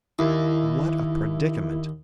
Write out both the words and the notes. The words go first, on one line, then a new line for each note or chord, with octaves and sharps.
What a predicament!
D#2 E4